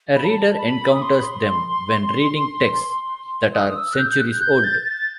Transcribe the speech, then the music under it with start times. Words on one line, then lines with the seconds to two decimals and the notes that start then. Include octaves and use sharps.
A reader encounters them when reading texts that are centuries old.
0.16 B5
0.25 A5
0.57 B5
0.91 D#6
1.02 C6
1.13 B5
1.23 C6
3.54 D#6
3.69 D#6
3.76 E6
3.93 F#6
3.98 G6
4.10 G6
4.19 F#6
4.41 G6
4.64 A6
4.86 A6